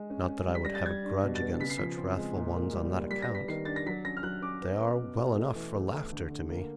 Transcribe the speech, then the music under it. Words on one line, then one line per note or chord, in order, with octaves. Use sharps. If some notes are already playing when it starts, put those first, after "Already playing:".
Not that I would have a grudge against such wrathful ones on that account: they are well enough for laughter to me!
Already playing: G#3
C#4
C#4
G3
B6
G3 A#6
A6
G3 G#6
D4
B2
A6
B3
C#3 B6
C7
F3 B6
C4
G#3
A#2
A#3
G3
A#3
G3 B6
A#6
B3 B6
D#3 C7
D4 A6
A#6
F#3 B6
C#4 A#6
F6
F#3 F#6
C#4 D6
B3
B3
B2
B2
A3
E3
A3
A3
D3
D3
A#3